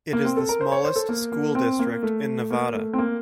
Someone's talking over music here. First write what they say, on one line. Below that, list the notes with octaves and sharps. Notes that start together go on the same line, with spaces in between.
It is the smallest school district in Nevada.
A#3
C4
A4
A#4
C5
C#5
C5
A4
A#3
A#3
C4
A#3
A3
A#3
A3
C4
A#3